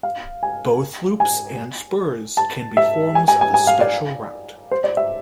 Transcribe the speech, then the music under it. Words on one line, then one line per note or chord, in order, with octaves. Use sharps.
Both loops and spurs can be forms of a special route.
F5
G#5
G#5
A5
E5
G#5
G#5
G#5
G#5
F5
D5
C5
D5
E5